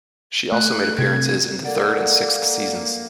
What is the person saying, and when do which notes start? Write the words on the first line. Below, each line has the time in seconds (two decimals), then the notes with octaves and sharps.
She also made appearances in the third and sixth seasons.
0.52 A3 F#6
0.98 C3 G#6
1.64 A#3 A4 D5 F#5